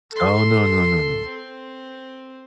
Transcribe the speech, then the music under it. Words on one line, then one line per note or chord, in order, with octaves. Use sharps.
Oh, no, no, no, no.
A4 C6
C4